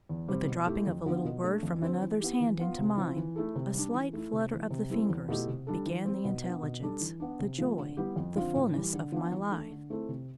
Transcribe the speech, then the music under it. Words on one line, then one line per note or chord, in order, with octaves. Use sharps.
With the dropping of a little word from another's hand into mine, a slight flutter of the fingers, began the intelligence, the joy, the fullness of my life.
E2
C3 G3 C4
B2
A3 E4 G4
F2
D3 F3 B3
B2
A3 D4
F2
D3 F3 C4 F4
E3
B3 E4 G4
E3
B3 F4
C3
F3 C4 E4
E3
A3 E4 A4
C3
G3 D4
E3
A3 E4
C3
E3 A3
C3
G3 C4 E4 A4
E2
B2 A3 E4 G4
C3
G3 D4 A4
E3
G3 C4
B2
B3 D4
B2
G3 D4 A4
E3
B3 D4
C3
F3 A3 C4
D3
G3 B3 E4 G4
F2
D3 F3 C4 F4
A2
E3 G3
D3
F3 B3 D4
E3
A3 D4
D3
A3 C4 E4 A4
C3